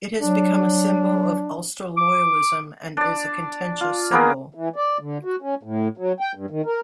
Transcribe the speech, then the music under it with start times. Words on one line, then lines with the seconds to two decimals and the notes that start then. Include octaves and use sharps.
It has become a symbol of Ulster loyalism and is a contentious symbol.
0.21 F#3 D4
1.97 D6
2.97 D4 D5
3.81 F4
4.11 A#3 B3 G#4 A#4
4.55 E3
4.76 D5
5.00 D3
5.24 F#4
5.42 C#4
5.63 A2
5.97 F#3
6.20 G5
6.35 G2
6.50 D#3
6.66 A#4